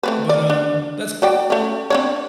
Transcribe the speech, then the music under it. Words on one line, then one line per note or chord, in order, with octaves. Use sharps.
But, um, that's
A3 C4 B4
D5
D4
F#3 D5 G5
A3 C#4
C4 D4 C#5